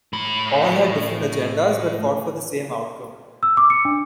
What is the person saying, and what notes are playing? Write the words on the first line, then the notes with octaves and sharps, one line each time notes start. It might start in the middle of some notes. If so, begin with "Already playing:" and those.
All had different agendas but fought for the same outcome.
A2 B5
E6
D6
C#7
D4